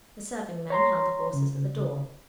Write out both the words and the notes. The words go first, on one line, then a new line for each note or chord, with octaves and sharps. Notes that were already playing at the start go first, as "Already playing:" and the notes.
The serving-men held the horses at the door.
C#5 A#5 C6
C#3